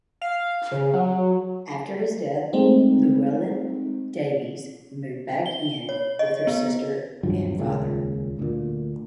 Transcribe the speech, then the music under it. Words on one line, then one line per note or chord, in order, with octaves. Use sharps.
After his death Llewelyn Davies moved back in with her sister and father.
F5
C#3
F#3
G#3 A3 C4 D#4
G7
C#5
D#5
B3
D#1 G2 F3 F#3
D#1 C#2 A#2 C#3
D2 A#2